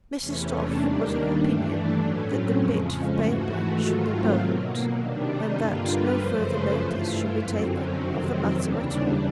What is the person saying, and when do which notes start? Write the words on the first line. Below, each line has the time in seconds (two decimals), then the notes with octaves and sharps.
Mrs. Toff was of opinion that the bit of paper should be burned, and that no further notice should be taken of the matter at all.
0.19 E2 C3 E3 A3 C#4
0.50 D4
0.80 D#2 D#3 G3 A#3
1.39 G2 E3 A3
1.98 A2 F#3 A3 C#4
2.28 C4
2.58 F2 C#3 F3 G#3
2.88 C#4
3.18 G#2 E3 A3 F#4
3.78 G#2 D#3 F#3 A3 F4
4.09 C4
4.38 B2 F#3 A#3
4.98 C3 D#3 G3 D4
5.28 D#4
5.57 G2 D3 G3 A#3 F4
5.87 B4
6.17 F#2 C#3 F3 A3 C5
6.47 B4
6.77 G2 E3 A3 F4
7.07 E4
7.36 F#2 D3 F#3 C4
7.66 C#4
7.96 F2 C3 D#3 F#3 C4
8.56 D#2 C#3 E3 G3 D4